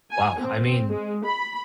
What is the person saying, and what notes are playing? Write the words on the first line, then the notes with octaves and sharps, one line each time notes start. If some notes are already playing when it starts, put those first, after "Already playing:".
Wow, I mean,
G#5
C4
G#3
B5